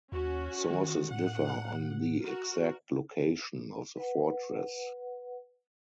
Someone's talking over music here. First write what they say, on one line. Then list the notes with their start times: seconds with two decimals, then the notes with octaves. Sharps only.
Sources differ on the exact location of the fortress.
0.12 D#2 C#4 F#4
0.70 D#3
1.11 A2 F#5
2.21 F#4 A#4
3.97 B4 F#5